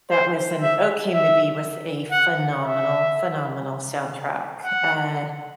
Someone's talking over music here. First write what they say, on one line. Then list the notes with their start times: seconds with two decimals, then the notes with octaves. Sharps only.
that was an okay movie with a phenomenal, phenomenal soundtrack. Uh,
0.11 C5
0.61 E5
1.11 E5
2.11 F#5
2.61 E5
4.64 F#5